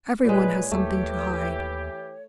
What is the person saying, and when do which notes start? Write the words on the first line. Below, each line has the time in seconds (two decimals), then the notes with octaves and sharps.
Everyone has something to hide.
0.25 A#2 G#3 B4 C#5
0.72 D#2 E3 A3 G4